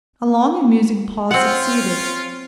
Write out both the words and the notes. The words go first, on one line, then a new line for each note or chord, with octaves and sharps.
A long and musing pause succeeded.
C4 C#4 F4 F#5